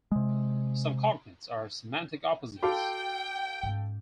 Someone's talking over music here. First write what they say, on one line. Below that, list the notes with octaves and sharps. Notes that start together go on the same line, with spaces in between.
Some cognates are semantic opposites.
C3 G#3
F#4 A4 F5 G5 D6
G#2 C#4